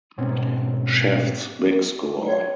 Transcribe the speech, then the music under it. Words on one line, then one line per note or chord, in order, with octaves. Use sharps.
Shaft's Big Score!
G#2 B2 C4 C#4
C#5